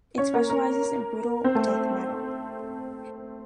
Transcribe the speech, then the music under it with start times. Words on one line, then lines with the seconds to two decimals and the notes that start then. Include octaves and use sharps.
It specialises in brutal death metal.
0.18 C#4 C#5
0.34 A#3 A#4
0.50 A#3 A#4
1.44 C4 C5
1.55 A3 A4